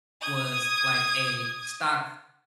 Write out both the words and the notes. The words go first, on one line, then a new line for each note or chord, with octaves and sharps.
was like a stock
D#6 G#6